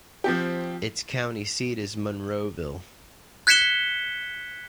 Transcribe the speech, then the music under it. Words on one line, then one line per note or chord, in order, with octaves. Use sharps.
Its county seat is Monroeville.
F3 C4 G4
F#6 G#6 B6 C#7 E7 G7